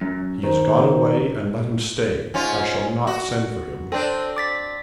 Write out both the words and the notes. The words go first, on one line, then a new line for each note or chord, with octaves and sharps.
He has gone away, and let him stay. I shall not send for him.
F#2
D#3 C5
G#2 C#4 F4
F#4
C4 D4 A4 C5
D6 A6 B6